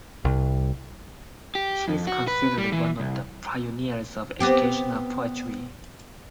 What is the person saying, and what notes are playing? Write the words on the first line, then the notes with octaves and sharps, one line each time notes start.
He is considered one of the pioneers of educational poetry.
C2
G4
F2
F#4
B4
G3
E3
C2
B3 C4 G4